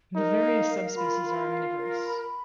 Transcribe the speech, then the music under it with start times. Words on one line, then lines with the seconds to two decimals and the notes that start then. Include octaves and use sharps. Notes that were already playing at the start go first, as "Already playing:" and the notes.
The various subspecies are omnivorous.
0.16 D#4 A#4
0.43 F5
0.69 A#4
0.97 F4 B5
1.24 A#4
1.51 F5
1.79 A#4
2.06 B5